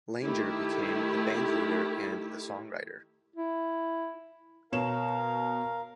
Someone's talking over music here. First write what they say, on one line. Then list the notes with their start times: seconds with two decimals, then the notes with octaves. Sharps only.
Langer became the band leader and the songwriter.
0.22 D#3 A3 E4 G4
3.36 E4
4.72 B2 A#4 C#5 F5 E7